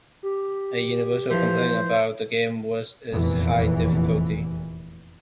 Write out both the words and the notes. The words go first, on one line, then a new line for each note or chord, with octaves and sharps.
A universal complaint about the game was its high difficulty.
G4
E3 F3 C5
F1 E2 A#2 E3